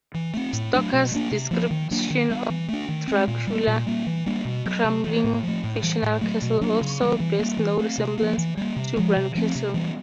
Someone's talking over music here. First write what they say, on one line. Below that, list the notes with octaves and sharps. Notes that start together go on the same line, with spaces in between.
Stoker's description of Dracula's crumbling fictional castle also bears no resemblance to Bran Castle.
E3
A3 C4
A2
F#3 A3 D4
B2
G3
A#3 D4
C3
F3 A#3
D#3
F#3 A#3 D4
D#3
G3 B3
E3
A3 D4
D#3
G#3 C4
A#2
G3 A#3
A#2
G3 A#3
E3
G3 A#3 D4
B2
F#3 B3
C3
E3 A3
A2
F3 A3
A2
E3 G3
A2
F#3 A3
B2
F#3 A#3 D4
C#3
E3 G3 B3
E3
G3 A#3
E3
A3 C4
C3
F3 A#3
E3
G3 A#3
C3
F3 G#3
C3
F3 A3 C4
C3
E3 G3 B3